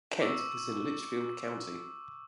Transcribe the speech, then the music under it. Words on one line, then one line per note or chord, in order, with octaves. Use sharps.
Kent is in Litchfield County.
C#6 D6 E6